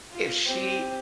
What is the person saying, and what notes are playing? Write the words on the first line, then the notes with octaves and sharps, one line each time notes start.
if she
F4
C4 G4